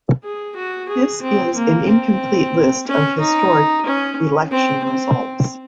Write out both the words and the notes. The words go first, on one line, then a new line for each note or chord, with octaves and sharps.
This is an incomplete list of historic election results.
G#4
F#4
G#4
C4
A#3
C4
C#4
D#4
C#4
C4
C4